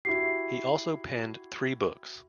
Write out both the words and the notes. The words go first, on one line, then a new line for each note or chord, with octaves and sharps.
He also penned three books.
E4 F#4 G4 C7